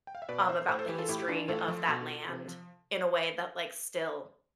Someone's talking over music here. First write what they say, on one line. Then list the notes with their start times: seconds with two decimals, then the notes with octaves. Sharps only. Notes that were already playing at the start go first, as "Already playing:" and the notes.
um, about the history of that land in a way that, like, still
0.07 G5
0.15 F5
0.22 E5
0.29 B2 B4 D5
0.40 F5
0.49 C5 E5
0.68 A2 C5 E5
0.79 A4 C5
0.88 E3 G4 B4
0.98 F4 A4
1.08 A2 E4 G4
1.19 G4
1.28 E3 D4 F4
1.48 A2 F4 A4
1.68 F3
1.89 B2
2.29 C3
2.48 F3